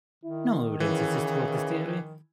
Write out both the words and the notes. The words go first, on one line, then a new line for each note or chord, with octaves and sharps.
No evidence exists for this theory.
D#3 E4
C#3 E3